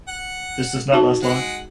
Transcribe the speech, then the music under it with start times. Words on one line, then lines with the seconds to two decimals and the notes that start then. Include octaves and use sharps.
This does not last long.
0.08 F#5
0.92 D#4 F#4 A5
1.23 G#3 F#5